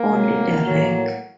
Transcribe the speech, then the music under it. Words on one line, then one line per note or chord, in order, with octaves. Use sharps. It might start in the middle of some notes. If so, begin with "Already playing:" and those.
Only the Rec.
Already playing: A#3
C3 F#3
A2 F#3